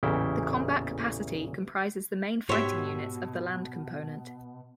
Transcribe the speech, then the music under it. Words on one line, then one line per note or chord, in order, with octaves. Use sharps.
The combat capacity comprises the main fighting units of the Land Component.
A1 E2 A#2 C#3 E4 G5
G#2 B2 G4 C#5 E5 C6